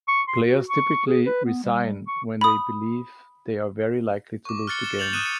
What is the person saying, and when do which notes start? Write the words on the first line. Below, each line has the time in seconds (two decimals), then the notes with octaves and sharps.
Players typically resign when they believe they are very likely to lose the game.
0.08 C#6
0.28 C6
0.46 F#4
0.69 C#6
1.07 G#4
1.26 B4
1.45 B3
1.64 G3
2.08 C#6
2.41 B5 D#6
4.45 C#6 D6
4.67 F6 F#6 A6 C#7 G7
4.84 E7
4.99 G6 A6 C#7 F7 F#7
5.13 D#6 F#6 A6 D#7 E7
5.25 C#7